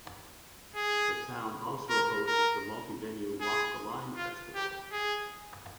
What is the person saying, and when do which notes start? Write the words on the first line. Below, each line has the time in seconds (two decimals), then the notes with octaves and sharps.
The town also hosts the multi-venue Walk the line festival.
0.76 G#4
1.89 A#4
2.27 A#4
3.41 G#4
4.16 F4
4.55 G4
4.92 G#4